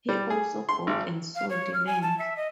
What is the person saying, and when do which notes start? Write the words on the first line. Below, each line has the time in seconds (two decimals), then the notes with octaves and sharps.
He also bought and sold land.
0.09 G3
0.30 G#4
0.69 C6
0.87 G#1
1.35 F5
1.50 C#5
1.74 F6
1.87 G#5
2.02 A5
2.19 E5
2.37 D#5